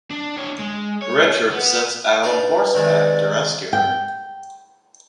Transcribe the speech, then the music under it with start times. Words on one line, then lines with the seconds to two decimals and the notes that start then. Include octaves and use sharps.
Richard sets out on horseback to rescue her.
0.11 D4
0.38 D4 C#5
0.60 G#3
1.02 C#5
1.50 B3
2.23 D4 D#4 B4 F5
2.74 C3 D#3 G#3 D5
3.73 G5